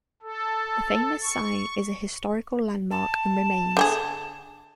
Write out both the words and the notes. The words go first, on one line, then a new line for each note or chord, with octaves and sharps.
The famous sign is a historical landmark and remains.
A4
C#6
A5
D3 G4 G#4